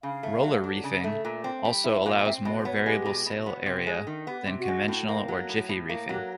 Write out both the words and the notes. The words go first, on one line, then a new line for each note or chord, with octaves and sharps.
Roller reefing also allows more variable sail area than conventional or jiffy reefing.
C#3 F5
A3
F#3
D4
C#3
A3
A#2
C4
G3
E4 E5
A#2 F5
C4 E5
B2 D#5
C5
B3 C#5
G#3 G4
B2
B2
B3
C3
G#3
D#3
B3 G4
C3
F#4
G#3
A2
A#3
F#3
A2
A2
A#3
F#3 G4